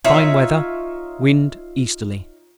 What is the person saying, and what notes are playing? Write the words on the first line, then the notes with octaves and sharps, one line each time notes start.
Fine weather: wind easterly.
D#4 F4 C#5 E5